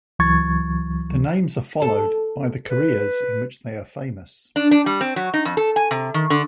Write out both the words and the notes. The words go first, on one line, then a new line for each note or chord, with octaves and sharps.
The names are followed by the careers in which they are famous.
C#2 E3 F#3 C#6 G#6 A6
A4
B4
D4
D4
G3
C4
F#3
D#4
F2
A4
G#5
C3
D#3
D3